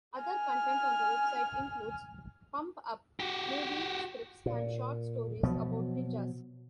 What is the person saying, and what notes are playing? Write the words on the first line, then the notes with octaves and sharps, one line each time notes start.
Other content on the website includes "pump-up" movie scripts and short stories about ninjas.
G#5 F6
F#4 G4
A#2
B2 F3 F#3